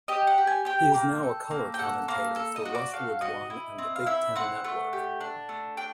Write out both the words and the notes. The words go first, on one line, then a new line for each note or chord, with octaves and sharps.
He is now a color commentator for Westwood One and the Big Ten Network.
G4 D#5
F#5
G4
G#5
G4 G5
A#3
A4
A#3
G5
A4 F#5
A#3 F5
A4
D#5
F#4
D5
A4 F5
F#4 D#5
E4
C4
F5
E4 E5
C4 F#5
A3
G4
D4
A3
D4 G5